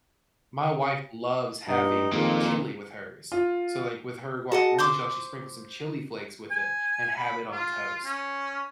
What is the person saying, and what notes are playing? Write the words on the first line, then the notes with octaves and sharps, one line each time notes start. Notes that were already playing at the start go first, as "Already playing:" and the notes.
My wife loves having chili with hers. So, like, with her guacamole, she'll actually sprinkle some chili flakes with it and have it on toast.
G2 D#4
F2 A#2 D#3 G#3 A#3
F4
F#4 G#4 D#5 F#5 A5
C5 C6 D6 G6
G#5
B5
F4
C#4